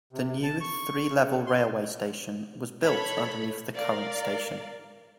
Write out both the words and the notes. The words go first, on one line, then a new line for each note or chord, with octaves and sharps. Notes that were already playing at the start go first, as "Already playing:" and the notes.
The new, three-level, railway station was built underneath the current station.
C3
A5
C#6
C#3
C6
A4 C#5 B5
A#4 D5 F5